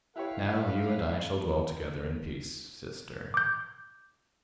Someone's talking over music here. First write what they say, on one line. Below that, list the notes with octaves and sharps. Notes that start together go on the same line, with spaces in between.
Now you and I shall dwell together in peace--sister.
E4 G4 A4 B4 C#5 F5
D6 G6